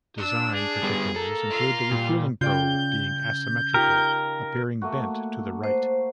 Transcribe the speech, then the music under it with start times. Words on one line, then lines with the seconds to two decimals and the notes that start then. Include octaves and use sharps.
Design particulars include the refueling probe being asymmetrical, appearing bent to the right.
0.18 D4 E6
0.54 G#4
0.83 G3 B3
1.16 A#3 A4 A#4 A#5
1.50 F4 F5
1.91 A#2 G3
2.41 C#3 F4 D5 G5 G6
3.74 D#4 F4 G4 A#4
4.82 A3 A#3 F#4
5.64 C5